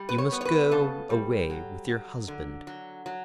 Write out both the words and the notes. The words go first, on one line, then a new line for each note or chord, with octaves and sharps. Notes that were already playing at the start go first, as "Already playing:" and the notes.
You must go away with your Husband.'
Already playing: G3
B4
C#5
B3
C#5
B4
C#3 A4
G3
F#3
F#3
D3
F#3
F#3